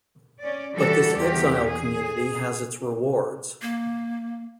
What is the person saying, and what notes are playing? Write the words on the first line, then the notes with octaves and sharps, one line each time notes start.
But this exile community has its rewards.
C#4 D5
E3 G3 F#4 A4 D5
E2 G4
G#4
A#3